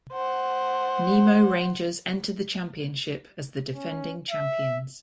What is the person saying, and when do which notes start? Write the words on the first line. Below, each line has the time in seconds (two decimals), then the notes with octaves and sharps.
Nemo Rangers entered the championship as the defending champions.
0.13 C5 F#5
3.73 C#4
4.31 E5